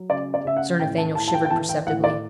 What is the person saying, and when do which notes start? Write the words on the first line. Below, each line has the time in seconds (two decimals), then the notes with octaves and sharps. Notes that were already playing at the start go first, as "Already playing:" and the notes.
Sir Nathaniel shivered perceptibly.
Already playing: F#3
0.10 C#3 D5
0.34 D5
0.45 C#3 E5
0.57 F#5
0.80 A2 G5
0.98 A5
1.15 A2 A5
1.28 A5
1.34 G5
1.45 G5
1.51 E3 A5
1.69 G5
1.87 A2 F#5
2.04 D5